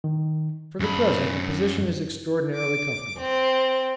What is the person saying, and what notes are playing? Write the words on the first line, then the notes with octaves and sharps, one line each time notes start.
For the present the position is extraordinarily comfortable.
D#3
F#2 B5
D6
C4